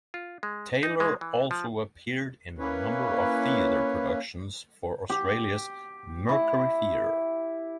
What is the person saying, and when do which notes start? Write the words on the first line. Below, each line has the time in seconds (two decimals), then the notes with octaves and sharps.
Taylor also appeared in a number of theatre productions for Australia's Mercury Theatre.
0.14 F4
0.43 G#3
0.83 D#4
1.00 G#3
1.21 E3
1.51 F3
2.59 A#3 C#4 E4 B4 C#5
5.10 G4
6.29 E4